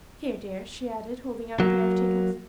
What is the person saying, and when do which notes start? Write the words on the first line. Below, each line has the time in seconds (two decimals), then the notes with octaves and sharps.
"Here, dear," she added, holding out a pair of teacups.
1.60 F#3 A#3